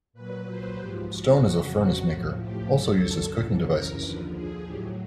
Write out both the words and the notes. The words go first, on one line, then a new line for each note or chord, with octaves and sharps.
Stone is a furnace maker, also used as cooking devices.
A#2 F#3 B4
C5
G#2 F3 G4
F#4
F2 C#3 F#3 F#4
A2 F3
G4
F#2 D3 F#3 A4
F#2 C#3 E3
A#4
D#2 D3 F3 B4
G#4
A2 F#3 G4